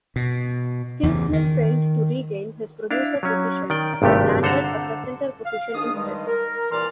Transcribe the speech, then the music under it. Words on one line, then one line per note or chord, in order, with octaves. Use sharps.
Kingsmill failed to regain his producer position, but landed a presenter position instead.
B2
E2 C#3
D#3
D4 E4 F5
F#3 C#4
D#3 D5 G5
G#1 G2 C3 A3 G4
D3 A4 C5 F#5 A#5
F5
G#2 D#3 D4 G#4 D#6
G2 D#3 G3 G#3
A#4
C2 A#2 E3 D5 C6 F6